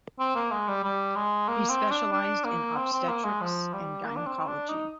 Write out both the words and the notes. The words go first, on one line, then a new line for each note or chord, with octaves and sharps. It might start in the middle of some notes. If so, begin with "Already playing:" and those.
He specialized in obstetrics and gynecology.
C4
A#3
G#3
G3
G3
G#3
A#3
C4
D4
D4
A#3
C4
C4
A#3
G#3
F3
G3
A#3
D4
C4
D4
D#4